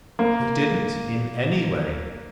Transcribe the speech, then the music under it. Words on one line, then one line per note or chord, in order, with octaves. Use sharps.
"He didn't--in any way."
A#3